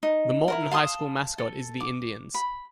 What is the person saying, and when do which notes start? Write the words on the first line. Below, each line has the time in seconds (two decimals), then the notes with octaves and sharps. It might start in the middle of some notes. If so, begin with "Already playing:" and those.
The Morton High School mascot is the Indians.
0.03 D#4
0.48 E4 F#4 A#4
0.71 F5 A5 C6 D#6
1.38 A4
1.80 D6
2.34 B5